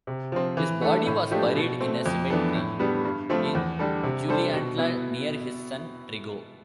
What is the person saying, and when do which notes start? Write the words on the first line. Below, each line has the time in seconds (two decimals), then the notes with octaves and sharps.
His body was buried in a cemetery in Juliantla near his son Trigo.
0.07 C3
0.32 F3 C4
0.57 E3
0.81 A3 D4 A4
1.07 A2
1.31 F3 A3 D4 G4
1.55 B2
1.81 A3 C4
2.06 F2
2.30 E3 B3 D4 A4
2.55 A2
2.79 G3 B3 D4
3.05 G2
3.29 F3 A3 C4
3.55 E2
3.79 D3 G3 D4 A4
4.03 C3
4.28 G3 D4 A4 C5
4.54 B2
4.78 B3 E4